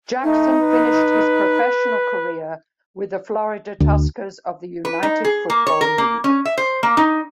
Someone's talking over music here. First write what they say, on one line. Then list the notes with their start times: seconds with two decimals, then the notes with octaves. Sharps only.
Jackson finished his professional career with the Florida Tuskers of the United Football League.
0.24 A3 D#4
0.61 B4
3.80 D2
4.85 B4
5.03 D#4
5.24 G#4
5.50 A#3
5.67 C#5
5.81 A#4
5.98 A#3
6.24 C#4
6.45 E5
6.58 C5
6.83 A#3
6.97 D#4